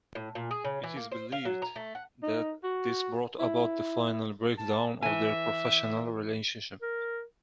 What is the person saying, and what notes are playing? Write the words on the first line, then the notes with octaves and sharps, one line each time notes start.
It is believed that this brought about the final breakdown of their professional relationship.
A2
A#2
G#4
C#3
E3
A#3
C5
F5
F#3
A#5
A3
F#5
D#4
F#4
E4
A5
E3 E5 G#5
A#4